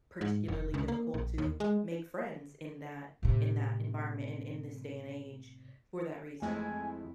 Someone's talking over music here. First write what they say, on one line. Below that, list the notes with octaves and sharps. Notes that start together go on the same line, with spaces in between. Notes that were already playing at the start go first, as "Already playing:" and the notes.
particularly difficult to make friends in that in that environment and in this day and age for that reason.
G#2
F1
C#2
A#3
A#1
D#2
G#3
A2 C3
F2 G#3 A3 C4 E4 G#5